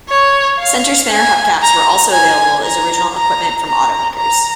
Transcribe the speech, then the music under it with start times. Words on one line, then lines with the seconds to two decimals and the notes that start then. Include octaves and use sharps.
Center spinner hubcaps were also available as original equipment from automakers.
0.09 C#5
0.59 F5
1.10 G#5
1.62 A#5
2.12 G#5
2.65 A#5
3.15 A#5
3.65 A#5
4.17 A#5